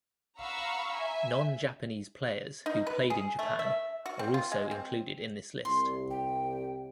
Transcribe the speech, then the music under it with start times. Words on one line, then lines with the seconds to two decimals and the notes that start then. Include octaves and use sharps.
Non-Japanese players who played in Japan are also included in this list.
0.39 F5 F#5 A#5 B5 C#6 E6
0.96 E5 G#5
2.66 D#4
2.87 B4
3.10 G#4
3.39 A3
3.59 E5
4.06 F#4
4.19 C4
4.34 F4
4.52 G#3
4.71 C4
5.65 C2 C6
6.10 G5